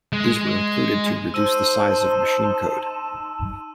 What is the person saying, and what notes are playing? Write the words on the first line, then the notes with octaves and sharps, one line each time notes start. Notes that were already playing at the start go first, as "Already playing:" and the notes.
These were included to reduce the size of machine code.
G#3
D#4 C5 A5 C6 E6 D#7